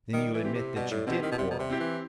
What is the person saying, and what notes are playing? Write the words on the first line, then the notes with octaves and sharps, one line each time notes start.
"Then you admit that you did quarrel?"
D#3 G3
E3
C4 E4 G4
C3
B2 G3
A2
B2 C4 E4 G4
D#3
B2
C3 G3
B2
C3
C4 E4 G4
E3